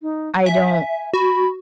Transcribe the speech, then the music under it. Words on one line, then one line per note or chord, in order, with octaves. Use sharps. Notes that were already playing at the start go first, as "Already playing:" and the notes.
I don't
D#4
E5 G#5
F#4 B5